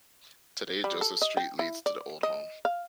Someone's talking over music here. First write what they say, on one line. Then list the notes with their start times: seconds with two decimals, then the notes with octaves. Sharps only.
Today, Joseph Street leads to the old home.
0.84 G3
1.01 A4
1.22 D#5
1.37 G5
1.59 E4
1.86 D5
2.23 D#5
2.65 F5